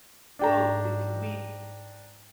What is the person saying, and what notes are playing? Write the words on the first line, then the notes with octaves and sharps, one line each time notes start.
Well, d d we
G#2 D4 G5 A#5